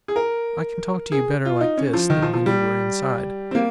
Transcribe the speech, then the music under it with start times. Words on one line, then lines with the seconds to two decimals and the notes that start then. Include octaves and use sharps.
I can talk to you better like this than when you were inside...
0.08 G#4
0.16 A#4
1.12 G#4
1.45 F4
1.61 D#4
1.77 C#4
1.93 F3
2.10 D#3
2.22 F3
2.33 F3
2.46 G3
3.51 C4
3.55 A#3